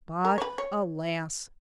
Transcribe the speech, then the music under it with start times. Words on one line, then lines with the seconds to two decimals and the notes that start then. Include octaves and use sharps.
But alas!
0.25 A#4
0.38 C#5
0.42 B4
0.58 C#5